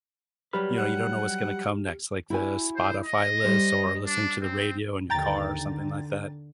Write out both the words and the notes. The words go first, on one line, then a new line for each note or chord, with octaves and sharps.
you know, you don't know what's gonna come next, like the Spotify list or listening to the radio in your car or something like that,
F#3 G3 G4 B4 F6
F#5
E4 F#4 G#5
C5
D#5
G3 C5
D4
C4
D#2 D3 D#3 G5 A#5 A6
D3